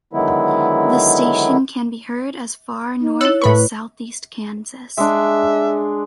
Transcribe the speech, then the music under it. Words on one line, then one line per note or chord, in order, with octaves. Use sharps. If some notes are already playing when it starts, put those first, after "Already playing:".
The station can be heard as far north as southeast Kansas.
D3 D#3 F#3 G#3 B3 E4
D#4
E4 C#5 E6 F#6 A6
A2 B4 B5 C#6
G#3 D4 E5